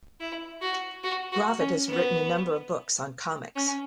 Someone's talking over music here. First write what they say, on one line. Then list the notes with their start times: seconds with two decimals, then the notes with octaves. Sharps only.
Gravett has written a number of books on comics.
0.20 E4
0.61 F#4
1.04 F#4
1.32 F#4
1.59 C#4
1.88 B3
3.56 C#4